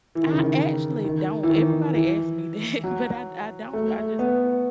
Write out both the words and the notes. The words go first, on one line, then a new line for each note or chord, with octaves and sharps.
I actually don't. Everybody asks me that, but I I don't. I just
E3
D#3
C#3
D#3
D#3
E3
D#3
E3
F#3
A3
A3
B3